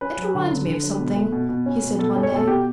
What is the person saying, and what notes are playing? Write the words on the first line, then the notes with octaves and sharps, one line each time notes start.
"It reminds me of something," he said one day.
C#4 B4
F#3
D3
D3
D3
F#3
B2
A3
B2
B2
C#4
B2
B2 A4
C#4 A4
C#5
B2 A4
B2 G4